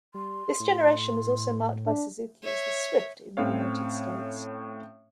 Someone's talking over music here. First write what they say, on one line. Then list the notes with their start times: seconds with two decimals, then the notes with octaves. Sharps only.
This generation was also marketed by Suzuki as the "Swift" in the United States.
0.14 G3 C6
0.60 A2
1.86 D4
2.43 C#5 E5
3.37 A2 C4 C#4 C#5 F5